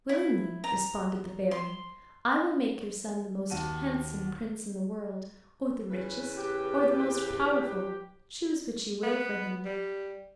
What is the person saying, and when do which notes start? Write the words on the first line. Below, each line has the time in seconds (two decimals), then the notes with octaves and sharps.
"Willingly," responded the Fairy, "I will make your son the most handsome prince in the world, or the richest, or the most powerful; choose which you will for him."
0.09 E4
0.64 A#5
1.51 C6
3.50 D#2 F#4 A5 D#7
5.89 E2 C#3 B4
6.36 G4
9.03 B3
9.65 G3